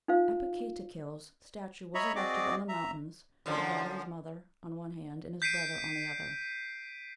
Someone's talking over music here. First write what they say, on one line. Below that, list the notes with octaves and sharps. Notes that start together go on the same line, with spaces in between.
Apocatequil's statue was erected on the mountains, with that of his mother on one hand, and his brother on the other.
D#4 F4 C5 F5
C#5 D#5 E5 A#5 B5 C#6
C4 F#4 G#4 D5 D#5 D6
E5 A#5
F#2 D3 F3
G6 B6 C7 D7 D#7